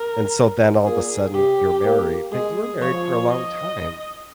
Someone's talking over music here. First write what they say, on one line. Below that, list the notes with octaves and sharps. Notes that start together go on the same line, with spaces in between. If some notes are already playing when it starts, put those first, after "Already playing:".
And so, then all the sudden you're married, but you were married for a long time.
Already playing: A#4
A#2 G#4
C3 G4
A#3
G#3 G#4
F3 C#5
D#5